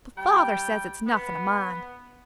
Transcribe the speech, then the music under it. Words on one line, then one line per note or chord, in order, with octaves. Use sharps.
But father says it's nothing to mind.
G3 G5
B3